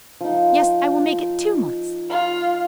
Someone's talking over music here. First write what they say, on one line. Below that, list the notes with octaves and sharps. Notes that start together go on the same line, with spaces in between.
Yes, I will make it two months.
F3 D#4
F4